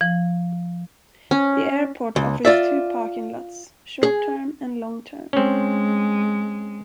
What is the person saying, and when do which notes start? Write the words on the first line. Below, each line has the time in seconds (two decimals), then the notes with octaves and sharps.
The airport offers two parking lots: short term and long term.
0.01 F3
1.31 C#4
2.16 C#2
2.45 F4 D5 E5
4.03 G#4
5.33 G#3 C4 C#4